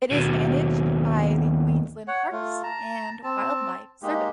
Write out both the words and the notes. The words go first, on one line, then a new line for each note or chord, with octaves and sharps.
It is managed by the Queensland Parks and Wildlife Service.
D#2 B2
C#5 F#5
A3 F4
A5 A#5
C4 A5
G#3 A#3 D#4 G4